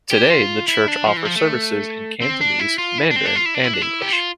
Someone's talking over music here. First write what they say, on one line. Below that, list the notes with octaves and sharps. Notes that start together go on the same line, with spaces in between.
Today the church offers services in Cantonese, Mandarin and English.
G4
F4
E4
D4
F3
E3
F3
A3
C4
D4
E4
F4
E4
D4
C4
D4
F4
E4
D4
E4
D4
E4
G4
F4